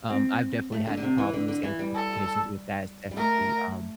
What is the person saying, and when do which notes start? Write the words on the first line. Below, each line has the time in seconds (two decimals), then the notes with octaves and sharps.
um, I've definitely had problems and complications with that, it's definitely, um,
0.10 C4
0.72 A3
0.87 D3
0.97 D3
1.03 C3
1.18 E3
1.33 D3
1.48 D3
1.63 E3
1.79 G3
1.95 A4
3.11 G3
3.17 A3 A#4